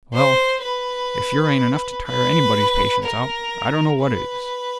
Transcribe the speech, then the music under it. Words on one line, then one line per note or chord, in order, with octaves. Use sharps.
Well, if yer ain't enough to tire anybody's patience out, I don't know what is!'
C5
B4
B4
A#4
B4